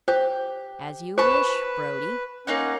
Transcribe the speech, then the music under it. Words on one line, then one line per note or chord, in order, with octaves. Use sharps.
"As you wish, Brodie."
G4 C5
B4 C5 A5 B5 C#6
A#3 C#4 D#4 F#5